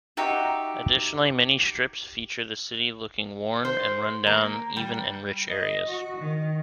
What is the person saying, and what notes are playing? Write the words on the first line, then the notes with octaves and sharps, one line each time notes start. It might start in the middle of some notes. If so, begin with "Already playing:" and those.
Additionally many strips feature the city looking worn and run-down even in "rich" areas.
D#4 F#4 G4 E5
C5
A#3
G3
D#5
F#4
D#3